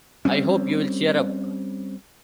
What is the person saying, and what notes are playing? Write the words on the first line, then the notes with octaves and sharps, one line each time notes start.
I hope you'll cheer up.
G3 C4 C#4